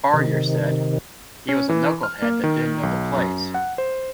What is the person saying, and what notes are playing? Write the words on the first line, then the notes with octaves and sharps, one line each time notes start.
Farrior said, He was a knucklehead that didn't know the plays.
C3 D#3
C#4
E3
F6
A#3
D#3
B1
F#2
F#5
C5